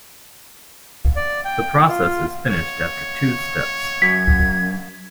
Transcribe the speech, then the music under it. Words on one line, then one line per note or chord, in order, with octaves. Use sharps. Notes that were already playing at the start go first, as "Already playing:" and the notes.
The process is finished after two steps.
D5
G5
F4
C#5
F#2 G#6 B6